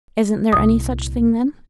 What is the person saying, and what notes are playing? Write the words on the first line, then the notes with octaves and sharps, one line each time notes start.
"Isn't there any such thing, then?"
C2 A#2 D#6